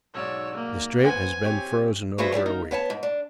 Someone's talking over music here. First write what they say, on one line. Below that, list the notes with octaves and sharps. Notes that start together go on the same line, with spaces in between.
The Strait has been frozen over a week.
B1 G#2 C#5 D5 E6
A#3
B4 C5 F#5 G#5
C4 G4 C#5
D4 F#4 G#4 B4 C5 E5
F#3 G3 E4 D5
A#3 D#4 A#4
B3 C#5 G5 A5
G#2
D4